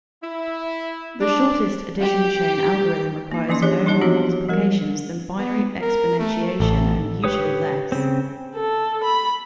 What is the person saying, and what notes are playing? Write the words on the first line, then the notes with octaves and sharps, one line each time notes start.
The shortest addition-chain algorithm requires no more multiplications than binary exponentiation and usually less.
E4
D4
G4
A#3 D#4
E3 F3 A#3 C#4 C6
E3 D4 G4 G#4 C#5 D#5
D4 D#4 G4 D#5 A5
F3 B3 E4 F#4 C#5
F3 G3 A#4
B3
A#4
A3
A1 A4
G4 B4 C#5 D#6
C#3 C4
A4
B5